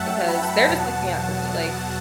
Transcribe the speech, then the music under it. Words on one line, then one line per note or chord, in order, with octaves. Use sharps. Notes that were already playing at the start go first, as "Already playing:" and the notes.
because they're just looking out for me. Like,
Already playing: F#2 F#3 A3 E5 F#5 G5 A5
G5 B5
E2 B2 F#3 F#5 A5